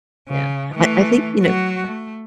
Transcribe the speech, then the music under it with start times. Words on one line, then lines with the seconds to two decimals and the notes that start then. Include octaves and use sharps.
yeah, I I think, you know,
0.28 C#3
0.75 E3 A3
1.40 F#3 F#4
1.87 A3